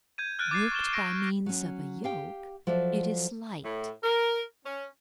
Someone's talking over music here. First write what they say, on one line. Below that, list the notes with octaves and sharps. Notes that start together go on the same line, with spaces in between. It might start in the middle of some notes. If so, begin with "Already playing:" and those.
Worked by means of a yoke, it is light.
G6 G#6 D#7
F6 F#6 A6 D7
D6 A6 C7
C#6 F#6 A6 E7 G7
C#6 D6 E6 A#6 C7 D7
F#3 C#4
G4 F5 G5
F3 F#3 A4 D5 E5
A2
A#4
C#4